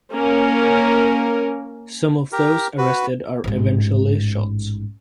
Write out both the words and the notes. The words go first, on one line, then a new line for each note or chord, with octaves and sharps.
Some of those arrested are eventually shot.
A#3 C#4 A#4
G4 A#4
F#4 B4
A1 G#2